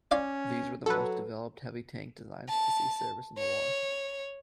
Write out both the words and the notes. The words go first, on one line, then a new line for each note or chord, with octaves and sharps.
These were the most developed heavy tank designs to see service in the war.
C#4 D5 F5 C6
F#3 A4 B4
A5
C#5